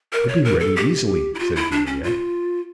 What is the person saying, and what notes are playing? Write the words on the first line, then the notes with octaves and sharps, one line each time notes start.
"I could be ready, easily," said Juliet.
A#4
C#5
A#4
A4
G4
E4
F4
E4
D4
C#4
F4